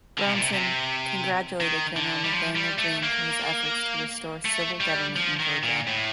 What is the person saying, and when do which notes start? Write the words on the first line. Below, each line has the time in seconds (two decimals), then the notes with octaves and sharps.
Brownson congratulated General Nathanael Greene for his efforts to restore civil government in Georgia.
0.18 D3
0.26 C3
0.35 A#2
0.43 C3
0.53 C3
1.61 D#3
1.97 D3
2.24 G3
2.32 F3
2.55 G3
2.78 A3
3.03 A#3
4.45 A3
4.80 G3
5.16 F3
5.40 D#3
5.63 A#2
5.87 A2